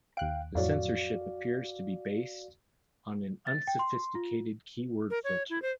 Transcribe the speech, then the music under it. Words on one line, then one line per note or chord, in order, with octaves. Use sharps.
The censorship appears to be based on an unsophisticated keyword filter.
D#2 F5 G5 F#6 D7
F2 A2 F#3 F#4 D5 F5
A6
G5
C6
F4
A#4
C#5
E4
C5